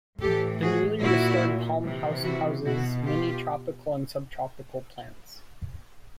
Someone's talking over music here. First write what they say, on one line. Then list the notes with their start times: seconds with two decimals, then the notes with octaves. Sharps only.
The newly restored Palm House houses many tropical and subtropical plants.
0.21 A2 E3 G4 A4
0.62 F#4 G#4
1.02 A#2 E4 F#4
1.83 C3 E3
2.24 E4 F#4
2.65 B2 E4 F#4
3.05 F4 G4